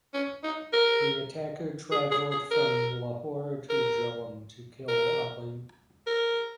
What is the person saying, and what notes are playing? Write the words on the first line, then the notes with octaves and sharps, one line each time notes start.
The attacker traveled from Lahore to Jhelum to kill Ali.
C#4
D#4
A#4
G#4
G#4
G#4
A#4
A#4
A#4
A#4